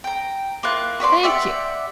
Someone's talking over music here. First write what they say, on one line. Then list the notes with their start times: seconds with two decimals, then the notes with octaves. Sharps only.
'Thank you.
0.04 G5 A#5
0.63 A#3 E4 F4 F#6
1.00 F#4 B4 D5 C6
1.23 G4 D5 E5 F#5